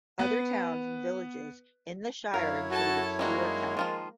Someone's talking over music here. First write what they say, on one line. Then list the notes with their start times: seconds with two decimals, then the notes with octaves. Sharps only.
Other towns and villages in the shire included Stuart Town.
0.19 B3 B4
2.34 F#2 E4 A#4 C#5 F5
2.70 F#4 A4 A5
3.19 G3 G#3 A#3 D#4 F#4
3.77 D#3 F3 F4